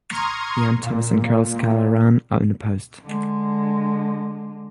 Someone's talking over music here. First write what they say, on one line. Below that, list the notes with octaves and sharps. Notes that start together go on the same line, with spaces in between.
Ian Thomas and Karl Skala ran unopposed.
A#5 C6 C#6 D#6 F6 G#6
A#2
D3 G#3